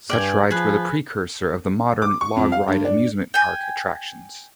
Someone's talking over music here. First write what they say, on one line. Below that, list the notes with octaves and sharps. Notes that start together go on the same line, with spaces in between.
Such rides were the precursor of the modern log-ride amusement park attractions.
G2 D5 G5 G#5
F3 G#4 B4
D6
C#6
F2
F5
G2
D4
G5 G#5